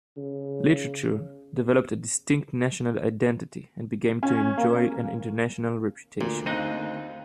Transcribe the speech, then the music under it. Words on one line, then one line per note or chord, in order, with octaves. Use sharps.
Literature developed a distinct national identity and began to enjoy an international reputation.
C#3
C#4
A#3
D2 A#2
D#2 C4 D#4 F#6 D#7